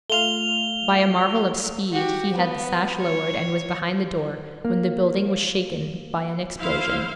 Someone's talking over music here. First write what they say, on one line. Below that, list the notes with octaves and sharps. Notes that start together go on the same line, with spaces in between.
By a marvel of speed he had the sash lowered, and was behind the door, when the building was shaken by an explosion.
A3 F4 F5 F7 G7
F#4 G4
B3
C#5
A#3
E4 C5 F5